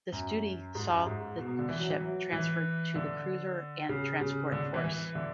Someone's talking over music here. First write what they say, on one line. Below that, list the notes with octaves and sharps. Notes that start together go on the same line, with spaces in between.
This duty saw the ship transferred to the Cruiser and Transport Force.
F#2
G#2
F#2
G#2
B2
B2
D3
E3
F#3
E3
F#3
E3
D3
C#3
C#3
D3
E3
E3
D3